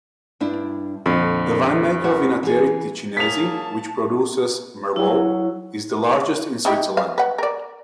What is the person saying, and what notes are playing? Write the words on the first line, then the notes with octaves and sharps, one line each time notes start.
The winemaker Vinattieri Ticinesi, which produces merlot, is the largest in Switzerland.
G2 D4 E4
F2 A#2 D3
E4 F#4
E3 G#4
F#3 A#3 G#4 A5 B6 F7
F#3 E4
D#4 E4 G4
F5
B4 F#5
A#4 D5